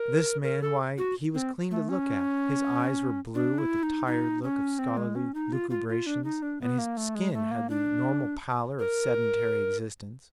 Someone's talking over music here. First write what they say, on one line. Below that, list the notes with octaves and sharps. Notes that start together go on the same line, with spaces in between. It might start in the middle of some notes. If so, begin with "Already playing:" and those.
This man--why, he was clean to look at, his eyes were blue, with the tired look of scholarly lucubrations, and his skin had the normal pallor of sedentary existence.
Already playing: A#4
A#4
A4
F#4
C4
A3
C#4
D4
E4
D#4
D#4
C#4
C4
G#3
C#4
D#4
F4
F4
F4
D4
D#4
D4
B3
A#3
A3
G#3
A3
A#3
D4
A#4